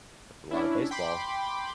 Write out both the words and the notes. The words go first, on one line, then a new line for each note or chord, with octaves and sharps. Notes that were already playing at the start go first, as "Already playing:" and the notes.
That's a lotta baseball.
C#4 D4 E4
G5 B5 C6 D6